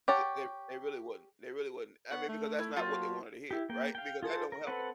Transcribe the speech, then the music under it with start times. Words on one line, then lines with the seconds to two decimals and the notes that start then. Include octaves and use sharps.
They they they really wouldn't. They really wouldn't. I mean, because that's not what they wanted to hear, right, because that don't help 'em.
0.08 G4 C#5 F#5 A5
2.11 B3 C#5 F#5
2.28 A3
2.59 E4
2.76 F#3 A#3 F4 G4 A5
3.51 E4 G4
3.69 A#3 G5
3.95 F5 G5
4.23 F4 G#4 A4 C5
4.52 A#4
4.67 C4 A4 B4 F#5